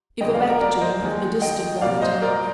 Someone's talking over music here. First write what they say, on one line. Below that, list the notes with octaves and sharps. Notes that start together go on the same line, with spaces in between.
If a back tooth, a distant relative.
F2 D3 G#3 D#5 G5
D5 F5
A#4 D5
A#4 D5
C5 D#5
D#2 D#3 G#3
D#5 G5
C2 A#2 G3 A#3 D5 F5
C5 D#5
A#4 D5